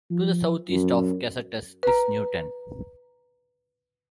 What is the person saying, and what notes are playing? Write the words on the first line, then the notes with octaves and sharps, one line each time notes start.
To the southeast of Casatus is Newton.
F3
F#2
B4 A#5